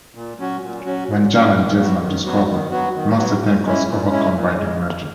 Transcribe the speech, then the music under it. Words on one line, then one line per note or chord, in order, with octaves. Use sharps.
When Jana and Jason are discovered, Master Tenko is overcome by their magic.
A#2
F#3 C#4 F#4
A#2
F#3 C#4 F#4
A#2
F#3 C#4 F#4
D#3
F#3 B3 F#4
D#3
F#3 B3 F#4
D#3
F#3 B3 F#4
D#3
F#3 B3 F#4
A#2
G#3 C#4 E4
A#2
G#3 C#4 E4
A#2
G#3